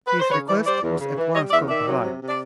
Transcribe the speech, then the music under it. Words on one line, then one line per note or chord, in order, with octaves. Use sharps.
His request was at once complied with.
B4
C5
C#3 B4 C#5
E3 C5 D5
G3 C5 D5
E2
C#3
E3
G3 C#5 D#5
E2 D5 E5
D#3 D5 E5
F#3
C3
C3
D5